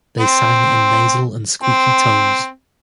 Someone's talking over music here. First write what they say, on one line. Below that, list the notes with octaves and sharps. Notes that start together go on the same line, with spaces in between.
They sang in nasal and squeaky tones.
C4
C4